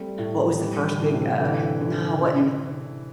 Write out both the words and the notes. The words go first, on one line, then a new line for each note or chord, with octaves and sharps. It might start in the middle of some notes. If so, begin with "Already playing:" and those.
what was the first big, uh no, it wasn't
Already playing: G3 A3 C4
A2
E3 G3
D3
A2
C3
D3 E3
D3
D3